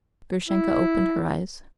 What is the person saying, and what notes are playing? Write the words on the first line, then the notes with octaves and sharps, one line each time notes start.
Grushenka opened her eyes.
E4